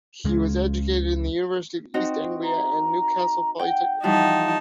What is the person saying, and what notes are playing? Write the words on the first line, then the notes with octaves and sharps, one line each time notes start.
He was educated at the University of East Anglia and Newcastle Polytechnic.
C#2 C#3 G#3
C4 D#4 F#4
A#5
F#5 G5
E3 F3 G3 D#4 F#5 A5